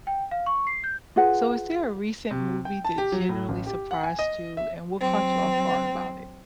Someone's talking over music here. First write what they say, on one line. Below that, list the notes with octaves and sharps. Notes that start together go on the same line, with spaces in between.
So, is there a recent movie that generally surprised you, and what caught you off guard about it?
G5
F5
C#6
C7
G6
F4 G#4 B4 F#5
C3
G5
A5
G4
F#3
A2
A1
G4
F#5
G#5
D#5
E5
F#3 C4